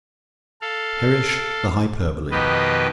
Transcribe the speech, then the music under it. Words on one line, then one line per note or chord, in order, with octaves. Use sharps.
Perish the hyperbole!
A4 F5
F2 B2 D#3 G4 B4 D#5